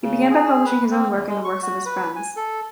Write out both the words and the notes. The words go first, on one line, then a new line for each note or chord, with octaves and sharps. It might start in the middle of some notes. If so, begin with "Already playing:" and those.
He began by publishing his own work and the works of his friends.
C#3
G#4
B4
C4
E2
G#3
C#6
F#4
B4
G#5
A4